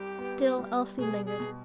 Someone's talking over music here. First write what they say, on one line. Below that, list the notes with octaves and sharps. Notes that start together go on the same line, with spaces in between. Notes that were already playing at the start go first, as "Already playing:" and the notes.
Still Elsie lingered.
Already playing: C2 G3 G4
B3
G3
B2 G#4
G#4
B2